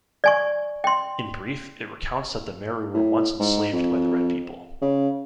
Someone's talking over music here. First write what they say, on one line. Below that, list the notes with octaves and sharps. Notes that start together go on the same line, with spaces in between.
In brief, it recounts that the Meru were once enslaved by the Red People.
D5 G#5 C#6
G5 C6
A2
G#2
F2
C#3